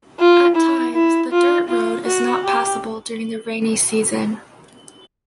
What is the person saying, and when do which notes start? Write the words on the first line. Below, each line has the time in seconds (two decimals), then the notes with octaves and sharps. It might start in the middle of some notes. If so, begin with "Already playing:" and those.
At times, the dirt road is not passable during the rainy season.
0.19 F4
0.56 E4
0.94 E4
1.31 F4
1.68 F4
2.05 F#4
2.44 G4